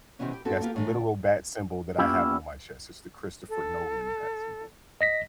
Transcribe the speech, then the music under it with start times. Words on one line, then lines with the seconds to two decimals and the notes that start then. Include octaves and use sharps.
that's the literal bat symbol that I have on my chest, it's the Christopher Nolan bat symbol.
0.19 C3 D#3 E3 B3 C#4
0.33 G4
0.45 B3 C4 D4 F#4 A4
0.61 A#3 B3 F4 G4
0.76 A2 E3 D#4
0.93 D3
1.99 A#3 B3 C#4 E4 F4 G4
3.49 A4
5.01 D#5 A#6 B6